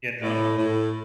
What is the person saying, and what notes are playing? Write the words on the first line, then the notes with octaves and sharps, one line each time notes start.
You know?
A2
A2